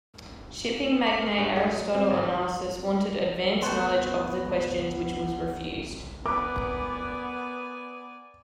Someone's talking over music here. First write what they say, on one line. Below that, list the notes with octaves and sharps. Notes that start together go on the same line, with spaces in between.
Shipping magnate Aristotle Onassis wanted advance knowledge of the questions which was refused.
D6
A#4
G2
G#4
F#3
C4
G#1
F3
A3 B3 C5
B3 A#4 B4 D5 G#5 D6